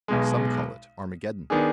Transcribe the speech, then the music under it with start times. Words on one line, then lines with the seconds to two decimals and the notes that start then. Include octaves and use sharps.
"Some call it Armageddon."
0.08 B1 B2 G#3
1.50 D#3 B3 D4 G#4